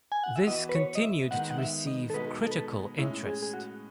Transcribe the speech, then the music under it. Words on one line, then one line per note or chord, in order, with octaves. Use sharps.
This continued to receive critical interest.
G#5
F#5
E5
E3 B3 F#4 D#5
B4
C#5
D#5
E5
D#3 G#3 B3 D#4 F#5
F#5
E5
D#5
A4
B2 G#3 B3 D#4 B4
A4
B4
A4
A2 G#3 C#4 E4
G#4
G#4
F#4